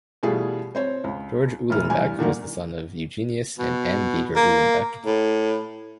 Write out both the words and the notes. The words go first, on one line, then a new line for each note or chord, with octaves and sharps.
George Uhlenbeck was the son of Eugenius and Anne Beeger Uhlenbeck.
B2 E3 G3 A3 F4 G#4
C4 C5 C#5
C#2
E1 D2 F6
E2 G2 G#5
A#2 D3 D#3 A#3
B2
A#3
A2